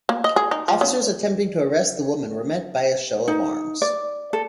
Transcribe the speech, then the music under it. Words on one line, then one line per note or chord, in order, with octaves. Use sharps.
Officers attempting to arrest the woman were met by a show of arms.
A#3
D#5
G#4
D#4
F3
C#3
D#4
D5
A4